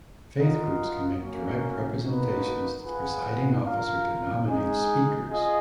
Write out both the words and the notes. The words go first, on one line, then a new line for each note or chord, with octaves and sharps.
Faith groups can make direct representations to the Presiding Officer to nominate speakers.
F4 A#4 D#5 F#5
A#3 C#4 F#4 A#4
A#3 D#4 F#4 B4
F4 G#4 B4 F#5
F4 A#4 F5
G#3 D#4 G#4
F4 G#4 D#5